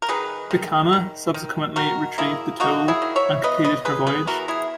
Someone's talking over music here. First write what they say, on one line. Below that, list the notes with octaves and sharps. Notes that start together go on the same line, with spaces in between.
"Pakana" subsequently retrieved the tow and completed her voyage.
A#4
D#3 G#4 B4
D#3
D#3
D#3
D#3 F#4 A#4
A#3 E4 G#4
A#3 D#4 F#4
E4 G#4
D#3
C#5 E5
B3 B4 D#5
B4 D#5
B3 G#4 B4
G#4 B4
E3 F#4 A#4
E4 G#4